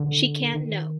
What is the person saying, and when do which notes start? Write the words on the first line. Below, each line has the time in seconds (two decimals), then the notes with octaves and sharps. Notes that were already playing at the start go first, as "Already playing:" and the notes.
She can't know.
Already playing: D3
0.53 D#3